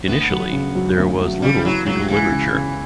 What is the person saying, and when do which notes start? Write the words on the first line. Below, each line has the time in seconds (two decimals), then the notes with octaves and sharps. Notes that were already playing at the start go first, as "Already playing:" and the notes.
Initially, there was little legal literature.
0.08 D2 B3
0.30 F#3
0.52 C#3
0.75 F#3
0.98 D2
1.20 F#3
1.42 C#3 G3
1.65 E3 F#3
1.86 C#2 F#3
2.08 C#2 E3
2.31 C#3
2.54 C#3